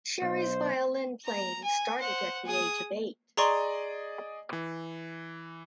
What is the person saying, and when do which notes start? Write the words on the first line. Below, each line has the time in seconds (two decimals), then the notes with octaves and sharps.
Sherry's violin playing started at the age of eight.
0.22 B1 C5
1.24 A#5
1.63 G#5
2.00 C5 F#5
2.45 G#4 D#6
3.37 G#4 D5 D#5 A#5 C6 C#6
4.53 E3